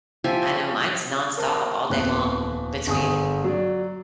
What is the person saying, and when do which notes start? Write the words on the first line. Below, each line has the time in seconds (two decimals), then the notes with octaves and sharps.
I know mine's nonstop all day long between,
0.24 F3 G4 E5 G#5
1.37 A#4 C5 A5 F#6
1.90 D#1 F2 B3 F#6
2.87 G1 G#4 D#6
3.44 F#3 D5